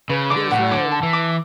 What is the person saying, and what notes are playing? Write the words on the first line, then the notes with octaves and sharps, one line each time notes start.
Yes, ma'am.
C#3 B4
D3 D6
A2 F#5
D3 D6
A5
E3
D6